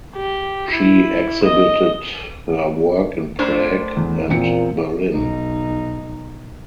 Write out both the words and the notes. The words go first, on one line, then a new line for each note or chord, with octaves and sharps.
She exhibited her work in Prague and Berlin.
G4
E4
D#5
A2 D4 C5
E2
E2 A#2 C4 C#7
B1 D#4